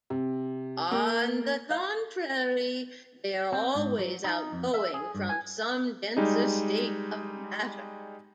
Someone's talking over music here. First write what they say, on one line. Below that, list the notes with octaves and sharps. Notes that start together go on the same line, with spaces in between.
On the contrary, they are always outgoing from some denser state of matter.
C3
A#3
F5
C4
G#2
F#3
D#4
F2
E5
G#4
G2
G#5
G3 G#3 D#4